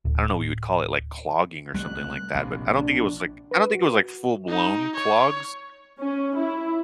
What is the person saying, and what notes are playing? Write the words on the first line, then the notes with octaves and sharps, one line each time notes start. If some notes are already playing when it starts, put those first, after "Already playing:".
I don't know what you would call it, like, clogging, or something like that, but I don't think it was, like I don't think it was, like, full-blown clogs.
D1
C2 G3 A3 F#6
A#1 C3
D4
B4
F#4
D#4
C#5
C#4
E4